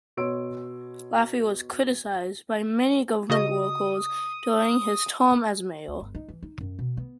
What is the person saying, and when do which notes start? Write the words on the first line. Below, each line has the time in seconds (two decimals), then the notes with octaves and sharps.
Laffey was criticized by many government workers during his term as mayor.
0.17 B2 C#5 C6 E6 D7
3.30 C#3 F#4 D#5 D#6
5.88 D2
6.00 G1
6.15 D#4
6.29 E3
6.43 D#4
6.61 F#2
6.79 B2
6.97 B3